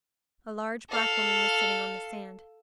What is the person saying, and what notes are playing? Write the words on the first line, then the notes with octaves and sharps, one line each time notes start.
A large black woman was sitting on the sand.
A4 F5